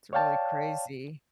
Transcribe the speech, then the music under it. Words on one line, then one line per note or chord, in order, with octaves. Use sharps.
It's really crazy.
C#5 D5 F5 G5 A5